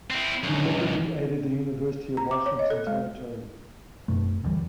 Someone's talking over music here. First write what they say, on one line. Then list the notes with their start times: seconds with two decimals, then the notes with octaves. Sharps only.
He liberally aided the University of Washington Territory.
0.11 C4 E4
0.43 C#2 F#2
2.17 A#5
2.31 D6
2.46 C#5
2.59 D#5
2.70 A4
2.87 G#3
4.08 F#1 F#2 B2 A3
4.43 E1 D2 E3 G3